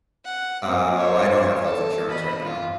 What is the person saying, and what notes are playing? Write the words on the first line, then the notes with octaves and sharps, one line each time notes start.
Uh, well, I don't have health insurance right now.
F#5
A#3 C4
C5 C#5
A4
D#5 B5
F4